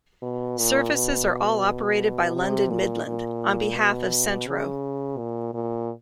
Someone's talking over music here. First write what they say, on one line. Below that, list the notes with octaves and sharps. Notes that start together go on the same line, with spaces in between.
Services are all operated by London Midland on behalf of Centro.
B2
A#2
B2
C3
A#2
A#2
B2
C#3
A#2
A#2